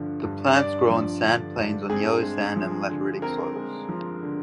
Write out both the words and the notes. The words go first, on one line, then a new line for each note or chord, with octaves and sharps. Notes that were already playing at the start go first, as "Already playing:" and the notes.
The plants grow on sandplains on yellow sand and lateritic soils.
Already playing: G2 D3 F3
G2
G2 D5
F3
D3
G2
C4 G#4
G#3
F3
D3
C4 A#4
G#3
F3
D3